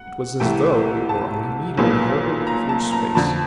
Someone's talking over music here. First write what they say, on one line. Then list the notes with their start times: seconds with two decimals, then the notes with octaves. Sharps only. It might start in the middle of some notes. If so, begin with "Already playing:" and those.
It was as though we were on a meteor hurtling through space.
Already playing: F#5
0.40 C2 C3 E3 A3 G5
1.09 A5
1.77 B1 A#2 F3 G#3 B3
2.47 A#5
2.69 A5
2.92 A#5
3.15 F2 D3 F3 A5